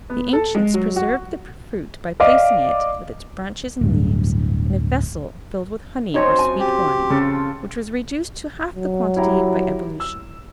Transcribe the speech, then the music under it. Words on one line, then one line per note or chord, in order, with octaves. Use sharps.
The ancients preserved the fruit by placing it, with its branches and leaves, in a vessel filled with honey or sweet wine, which was reduced to half the quantity by ebullition.
B3
A4
G#3
F#3
F#4
D5 D#5 F5 D6
D1 G2
F#2 F3 C4 D#4 C#5
G#5
G4
C#3 F4 A4
F#3
E4 G4 A#5
E6